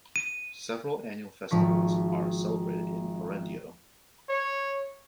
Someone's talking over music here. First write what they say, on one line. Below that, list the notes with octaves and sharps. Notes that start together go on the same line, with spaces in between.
Several annual festivals are celebrated in Erandio.
D#7
G#1 F3 C#6 B6
C#5